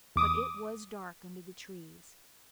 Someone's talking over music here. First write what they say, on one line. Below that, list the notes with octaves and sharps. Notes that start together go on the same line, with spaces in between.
But it was dark under the trees.
E2 D6 D#6